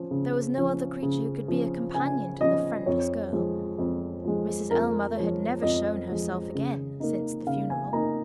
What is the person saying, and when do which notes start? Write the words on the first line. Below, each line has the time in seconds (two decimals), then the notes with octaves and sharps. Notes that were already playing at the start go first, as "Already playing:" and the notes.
There was no other creature who could be a companion to the friendless girl. Mrs. Ellmother had never shown herself again since the funeral.
Already playing: F3 C#4
0.11 C#3
0.57 F3 C#4
1.03 C#3
1.48 F3 C#4
1.94 C#3 G#5
2.41 F3 C#4 D#5
2.86 F2 C#5
3.33 F3 G#3
3.78 F2
4.25 F3 G#3
4.71 F2 A#4
5.17 F3 G#3 C#5
5.62 F2 D#5
6.09 F3 G#3
6.55 C#3
7.00 A#3 D#4
7.46 C#3 F5
7.70 G#5
7.93 A#3 D#4 A#5